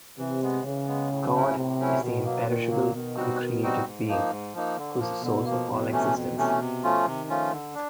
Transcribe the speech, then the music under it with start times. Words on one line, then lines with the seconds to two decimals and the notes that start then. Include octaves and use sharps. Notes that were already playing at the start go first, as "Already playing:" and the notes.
God is the imperishable, uncreated being who is the source of all existence.
0.18 C3 E3
0.41 G#3 B3
0.64 C#3 E3
0.87 G#3 B3
1.10 A2
1.33 F#3 A3 C#4 E4
1.56 A2 C3
1.79 F#3 A3 C#4 E4
2.02 B2 D#3
2.25 F#3 A#3
2.48 A#2 D#3
2.70 F#3 A#3
2.93 B2 D#3
3.16 G3 C4 D#4 F#4
3.39 D#3
3.63 G3 C4 D#4 F#4
3.85 G#2
4.08 F3 A#3 D#4
4.31 G#2
4.54 F3 A#3 D#4
4.77 D3
5.00 F3 A#3
5.22 B2 D3
5.45 A#3
5.51 F3
5.69 F2 B2
5.91 C3 E3 A3 C#4
6.14 F2
6.37 C3 E3 A3 C#4
6.60 C3
6.83 F3 A3 C#4 F4
7.06 C3 D#3
7.29 F3 A3 C#4 F4
7.52 D3
7.74 D4